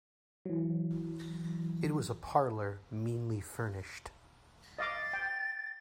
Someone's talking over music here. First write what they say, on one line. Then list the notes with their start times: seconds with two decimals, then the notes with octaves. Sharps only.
It was a parlour meanly furnished.
0.45 E3 F#3
4.79 D#5 F5 D6 A6
5.13 G5